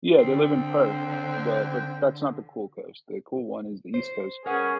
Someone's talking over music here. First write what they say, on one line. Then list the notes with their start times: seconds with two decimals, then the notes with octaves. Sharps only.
Yeah, they live in Perth, but but that's not the cool coast. The cool one is the east coast,
0.18 D3 C4
3.94 C5
4.46 B3 C#4 G#4 A#4 F#5